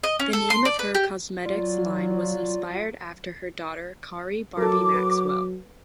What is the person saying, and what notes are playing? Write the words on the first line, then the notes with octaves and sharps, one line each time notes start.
The name of her cosmetics line was inspired after her daughter Khari Barbie Maxwell.
D#5
C#4
A4
C6
D5
B4
G4
F#3 F4 D5
F#3 A4 A#4 D6
B4